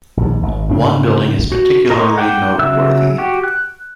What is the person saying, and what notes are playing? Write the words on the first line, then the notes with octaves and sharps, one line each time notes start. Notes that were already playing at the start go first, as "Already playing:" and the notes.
One building is particularly noteworthy.
A#1 D#2
G#1
G#2 C#3 C4 D4
F#4
A#4 D#5 A#5 C6 C#6
F#5 G5 D6
C#3 F#3 E5 E6 F#6
F#4 G4
F#6